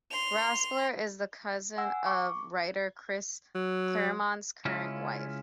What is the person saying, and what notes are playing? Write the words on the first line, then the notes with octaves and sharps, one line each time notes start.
Raspler is the cousin of writer Chris Claremont's current wife.
C6 F7
F#5 G#5 E6
C#6 D6
F#3
C#3 G#3 C#4 E4 F4